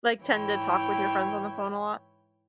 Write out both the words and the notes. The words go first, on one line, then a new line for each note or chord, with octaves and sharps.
like tend to talk with your friends on the phone a lot?
G#2 E3 E4 C#5 G5